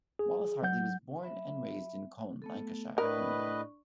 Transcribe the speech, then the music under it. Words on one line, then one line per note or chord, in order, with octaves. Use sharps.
Wallace Hartley was born and raised in Colne, Lancashire, England.
G#4
F#3 F#5 G6
F#3 E5 B5
A3 B3 A4
A2 D4 A#4 B4 D5 D#5 C#6